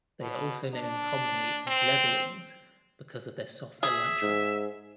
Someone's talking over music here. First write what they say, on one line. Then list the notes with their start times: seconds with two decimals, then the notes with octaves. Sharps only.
They are also known commonly as leatherwings because of their soft elytra.
0.21 B2
0.74 D4
1.67 C4
3.83 G#4 E5
4.23 G#2